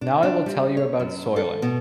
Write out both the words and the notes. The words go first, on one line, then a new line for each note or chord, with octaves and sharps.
Now I will tell you about soiling.
D4
D4
G3
C#5
F#2
A4
B2